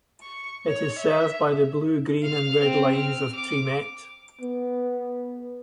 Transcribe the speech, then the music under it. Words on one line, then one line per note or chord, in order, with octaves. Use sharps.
It is served by the Blue, Green and Red Lines, of TriMet.
C#6
C#5
E5
F5 F6
C4
F6
D6
B3